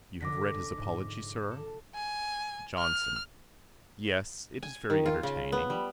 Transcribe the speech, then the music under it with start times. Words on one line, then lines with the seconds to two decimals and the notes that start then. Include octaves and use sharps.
'You have read his apology, Sir?' JOHNSON. 'Yes, it is very entertaining.
0.21 F1 D3 D4 D6 A#6 B6
0.77 G#2
1.51 A4 A5
1.95 G#5
2.78 F6
4.63 G#5
4.90 D#3
5.06 F4
5.23 C#3
5.52 B3
5.70 G3